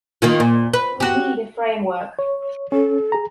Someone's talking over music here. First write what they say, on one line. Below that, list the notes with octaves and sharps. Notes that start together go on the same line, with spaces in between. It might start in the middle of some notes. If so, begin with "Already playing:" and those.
We need a framework.
D#3 A#3 F4
A#2
B4
F#4 G4
C#5
C#4 A4
G#4 A#5